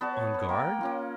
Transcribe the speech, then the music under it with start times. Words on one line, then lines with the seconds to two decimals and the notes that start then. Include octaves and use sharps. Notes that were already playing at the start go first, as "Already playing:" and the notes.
"On guard?"
0.01 B3 F#4 D5 A5
0.12 C#5
0.34 B4
0.49 A#3 G5
0.81 A#3 C#4 F4